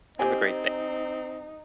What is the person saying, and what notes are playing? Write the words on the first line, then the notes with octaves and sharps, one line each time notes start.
Have a great da
C4 D#4 G4 C5 G#5